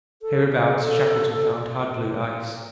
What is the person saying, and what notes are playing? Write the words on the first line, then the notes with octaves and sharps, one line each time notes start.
Hereabouts Shackleton found hard blue ice.
A4
A4